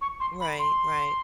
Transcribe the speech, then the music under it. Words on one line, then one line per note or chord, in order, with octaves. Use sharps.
Right, right.
C#6
C6
B5
C6